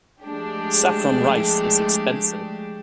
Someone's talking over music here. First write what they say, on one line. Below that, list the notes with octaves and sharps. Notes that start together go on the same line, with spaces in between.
Saffron rice is expensive.
F3 G#3 A3 D4 G4